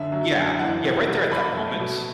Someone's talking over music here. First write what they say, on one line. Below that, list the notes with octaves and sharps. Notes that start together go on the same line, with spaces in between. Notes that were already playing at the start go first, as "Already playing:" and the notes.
Yeah. Yeah, right there at that moment,
Already playing: F#2 D3 E5
F#3
F#2
E3 F#5
C3
G3
F#3 B5
A3
B2